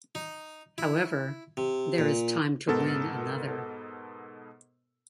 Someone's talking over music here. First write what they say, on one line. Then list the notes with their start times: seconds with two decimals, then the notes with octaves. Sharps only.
However, there is time to win another.
0.15 D#4
0.78 E4
1.57 C3
1.98 A#2
2.67 G#2 B2 B3 A4 A#4 A6